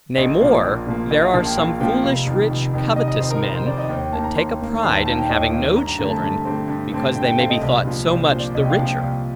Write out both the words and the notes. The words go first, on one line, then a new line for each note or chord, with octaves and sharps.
Nay more, there are some foolish rich covetous men, that take a pride, in having no children, because they may be thought so much the richer.
A#1 D#5
A#2 F3 A#3 D5
A#1 D5
A#2 F3 A#3
A#1 D#5
F5
A#2 F3 A#3 A5
G5
A#1 F5
A#2 F3 A#3 G5
F1 F5
F2 D#3
F1
F2 D#3
F1 D#5
D#5
F2 D#3 C5
A#4
F1 C5
C5
F2 D#3 D5
D#5
D#2 G5
G5
D#3 A#3 A5
A#5
D#2 C6
D#3 A#3
D#2 C6
A5
A#5
D#3 A#3 A5
G5
D#2 D#5
D#3 A#3
G2 A#5
A#5
D3 A3 C4 A#5
A5
G2
D3 A3 C4
G2
D3 A3 C4
G2 G5
G5
D3 A3 C4 F5
D#5
C2
A#2 F3
C2 C5
C5
A#2 F3
D5
C2 D#5
G5
F5
A#2 F3
G5
C2 F5